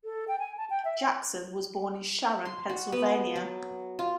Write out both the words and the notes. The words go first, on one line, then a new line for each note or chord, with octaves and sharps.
Jackson was born in Sharon, Pennsylvania.
A4
G5
G#5
A5
G5
E5
G5
C6
F#4
B3
F#3
F4